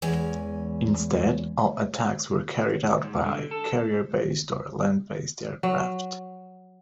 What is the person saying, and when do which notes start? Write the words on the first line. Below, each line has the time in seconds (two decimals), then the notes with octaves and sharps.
Instead, all attacks were carried out by carrier-based or land-based aircraft.
0.02 E2 G#3 C#4 G#5
3.04 G#2
3.24 D3
3.51 A4
5.63 F#3